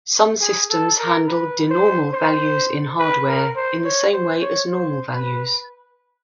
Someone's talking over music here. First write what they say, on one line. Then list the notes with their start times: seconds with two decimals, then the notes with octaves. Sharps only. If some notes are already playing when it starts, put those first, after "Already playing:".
Some systems handle denormal values in hardware, in the same way as normal values.
0.41 G#4
0.69 A4
0.99 A#4
1.27 B4
1.70 C5
2.13 C5
2.99 B4
3.28 A#4
3.56 C5
3.85 C#5
4.13 C5
4.41 C#5
4.70 C5
5.13 B4